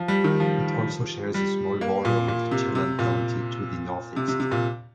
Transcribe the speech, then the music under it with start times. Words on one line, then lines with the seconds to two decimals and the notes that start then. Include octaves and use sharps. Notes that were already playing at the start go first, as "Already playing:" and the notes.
It also shares a small border with Chelan County to the northeast.
Already playing: F3
0.08 G3
0.24 D#3
0.40 F3
1.34 G3
1.81 A#3
2.05 A#2
2.28 A#2
2.51 C3
2.75 C3
2.99 A#2
4.16 C3
4.28 C3
4.40 C3
4.51 A#2